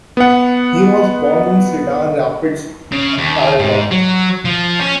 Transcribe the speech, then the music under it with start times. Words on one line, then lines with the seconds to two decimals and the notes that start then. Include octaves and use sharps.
He was born in Cedar Rapids, Iowa.
0.17 B3 F#5
2.92 C#3
3.18 D#2
3.59 G#2
3.91 F#3
4.45 F3
4.79 C#4